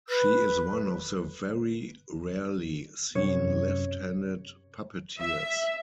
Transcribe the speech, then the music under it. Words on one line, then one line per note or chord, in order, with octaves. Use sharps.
She is one of the very rarely seen left-handed puppeteers.
B4
F#2 C3 C#5
E5